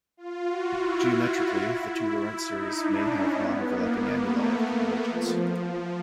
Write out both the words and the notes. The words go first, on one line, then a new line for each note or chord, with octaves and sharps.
Geometrically, the two Laurent series may have non-overlapping annuli of convergence.
F4
F#4
E4
D#4
D4
C#4
B3
A#3
A#3
A3
A#3
A3
F3